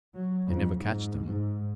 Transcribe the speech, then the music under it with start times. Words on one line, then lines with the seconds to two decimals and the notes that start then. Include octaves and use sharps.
They never catch them.
0.15 F#3
0.47 F2
0.79 G#2
1.27 G#2